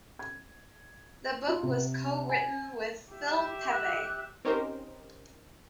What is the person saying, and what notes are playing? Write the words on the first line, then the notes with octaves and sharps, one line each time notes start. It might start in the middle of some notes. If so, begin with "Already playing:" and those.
The book was co-written with Phil Pepe.
G#6
F4
C3
G#5
G4 E5
F#6
C4 C#4 D#4 G4 A#4 C5